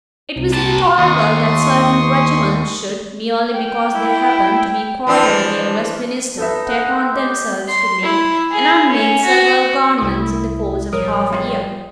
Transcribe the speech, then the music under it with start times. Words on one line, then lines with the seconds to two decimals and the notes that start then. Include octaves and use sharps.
It was intolerable that certain regiments should, merely because they happened to be quartered near Westminster, take on themselves to make and unmake several governments in the course of half a year.
0.36 C2 C3
0.53 A#2 A5
0.98 D#2 C6 C#6 D#6
3.54 G5
3.95 E4
5.07 E3 F3 D4
6.38 D#4 A4 B4 E5
6.67 F#5
7.14 G4 D#5
7.68 C6
8.03 E4
8.51 G#4
8.89 C#4
9.24 F#4
9.98 C2 E4 D#6
10.93 A1 F3 G3 A#4 C#5 D#6
11.33 F4 G#4